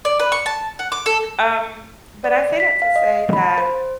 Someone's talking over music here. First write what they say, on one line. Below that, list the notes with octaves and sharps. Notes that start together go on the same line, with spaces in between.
Um, but I say that to say that
D5
B4
C#6
A5
F#5
D6
A4
D5
B6
F5
D#5
B5
C5